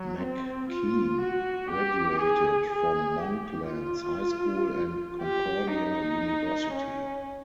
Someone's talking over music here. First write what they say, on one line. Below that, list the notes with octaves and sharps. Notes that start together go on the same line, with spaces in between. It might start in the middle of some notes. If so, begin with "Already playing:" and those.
McKean graduated from Monklands High School and Concordia University.
Already playing: F#3
C4
F4
F#4
G4
G#4
G#4
G4
F4
G4
D#4
C#4